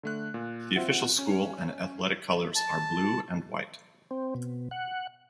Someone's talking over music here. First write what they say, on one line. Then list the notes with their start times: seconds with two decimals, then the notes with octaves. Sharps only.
The official school and athletic colors are blue and white.
0.03 D3 A3 F#6
0.34 A#2
0.76 C4 F4 C5 E5 F#5
1.19 C#4
2.56 A5
4.11 C4
4.35 B2
4.71 F#5